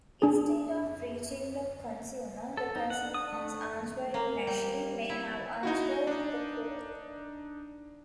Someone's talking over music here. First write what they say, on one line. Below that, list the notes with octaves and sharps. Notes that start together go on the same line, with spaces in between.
Instead of reaching the consumer, the consumer's answering machine may have answered the call.
D4 G#4
A4
D#4
F#5
D#6
A3
A#3
G3
E4
D#4 E4 F#4
D4 D#4